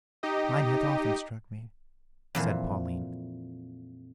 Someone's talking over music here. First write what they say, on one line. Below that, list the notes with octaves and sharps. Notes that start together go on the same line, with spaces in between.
"Mine hath often struck me," said Pauline.
D#4 G4 D#5
F2 A#2 E3